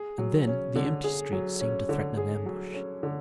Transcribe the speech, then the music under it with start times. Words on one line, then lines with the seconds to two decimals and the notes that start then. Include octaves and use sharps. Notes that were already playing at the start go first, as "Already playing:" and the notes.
And then, the empty street seemed to threaten an ambush.
Already playing: G#4
0.18 F#3
0.47 C#4
0.76 D3
1.04 G#4
1.32 F#3
1.61 C#4
1.89 D3
2.17 G#4
2.46 F#3
2.74 C#4
3.03 D3